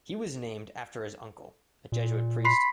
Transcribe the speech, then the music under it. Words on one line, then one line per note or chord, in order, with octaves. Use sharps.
He was named after his uncle, a Jesuit priest.
A#2
B5 C6 C7